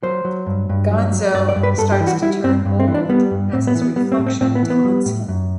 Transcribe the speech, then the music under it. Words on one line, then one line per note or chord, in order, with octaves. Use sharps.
Gonzo starts to turn old as his reflection taunts him.
F#3 C5
F#3
G2
G2
F#3
F#3
G2 D5
D5
G2
B4
G2 A4
G4
E3
F#4
G3 E4
G2 C4
G2
C4
E3
D4
G3 B3
G2
A2 C4
B3
E3
B3
G3 B3
C4
A2
C4
A2 C4
B3
E3
B3
G3
A2
F#2